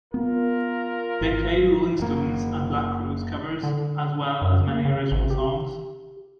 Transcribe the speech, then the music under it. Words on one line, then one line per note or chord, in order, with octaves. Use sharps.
They played Rolling Stones and Black Crowes covers as well as many original songs.
B3 F4 A#4
G#1
F#1 A#3
D3
F#2
A#3
C#3
G#1
G4